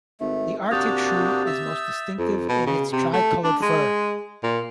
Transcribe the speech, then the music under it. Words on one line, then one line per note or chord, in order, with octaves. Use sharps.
The Arctic shrew is most distinctive in its tricolored fur.
G#1 A3
C3 A#3 D4 F#4 D#6 G6 A6
E5 E6
F2
B2
C#3
C3
A3
D4
G#3
A#2